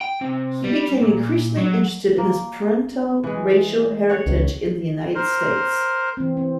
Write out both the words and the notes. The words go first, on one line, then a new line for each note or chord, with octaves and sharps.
He became increasingly interested in his paternal racial heritage in the United States.
G5
C3
G3
A#2
F#3
A#3
E3 G#3
C#5 F#5
C#2
A#4 C5
E3 C4
C4